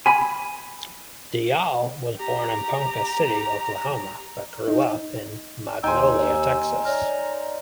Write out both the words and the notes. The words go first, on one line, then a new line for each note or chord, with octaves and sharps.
Dial was born in Ponca City, Oklahoma, but grew up in Magnolia, Texas.
G#5 B5
G4 A#5
D#4
D#2 D#4 G5 G#5 C6 E6
C#5 D5 A#5 F6